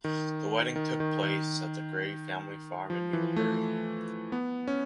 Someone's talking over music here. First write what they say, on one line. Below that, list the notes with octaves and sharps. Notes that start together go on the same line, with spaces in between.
The wedding took place at the Gray family farm in Newbury.
D#3
D#3
D#3
D#3
F3
E3
A3
B3
C#4